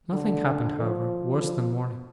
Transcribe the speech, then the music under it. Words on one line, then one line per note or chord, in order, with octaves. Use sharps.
Nothing happened, however, worse than morning.
D3
F3